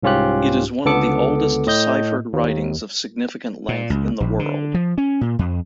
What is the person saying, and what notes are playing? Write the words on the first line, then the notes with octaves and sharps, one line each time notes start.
It is one of the oldest deciphered writings of significant length in the world.
C2 G#2 C#4 F4 G4 F#6
C#2 D3 B3 A4 D6 C#7
A2 D#5 G6
D#2
A#2
C#2
A#1
D3
F3
C#4
A#2
F2